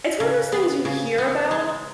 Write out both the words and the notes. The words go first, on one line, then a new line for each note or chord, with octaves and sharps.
it's one of those things you hear about,
C#3
B3
C#3
B3
G#3